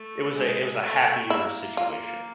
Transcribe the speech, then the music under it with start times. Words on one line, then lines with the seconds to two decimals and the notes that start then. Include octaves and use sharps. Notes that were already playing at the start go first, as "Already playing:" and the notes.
it was a it was a happier situation.
Already playing: A3
0.36 G#3
0.83 A3
1.30 A#3 E4
1.77 F4